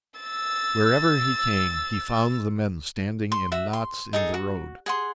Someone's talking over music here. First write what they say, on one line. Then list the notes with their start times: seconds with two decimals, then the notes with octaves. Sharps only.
Wherever he came he found the men standing in knots in the road.
0.20 E6 A6
3.32 C6
3.52 F#4 E5
3.73 C6
4.13 D#4 G#4 A4
4.34 F#4
4.86 G#4 F#5 C6